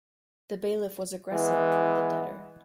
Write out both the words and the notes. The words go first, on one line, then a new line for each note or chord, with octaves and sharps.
The bailiff was aggressive toward the debtor.
E3 G#3 B3